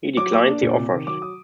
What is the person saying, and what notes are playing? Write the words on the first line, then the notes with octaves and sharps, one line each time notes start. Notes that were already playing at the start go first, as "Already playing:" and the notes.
He declined the offers.
F#3 D6
A#3 D6
D4
A#2
C3
D#3
F#3 D6
D#6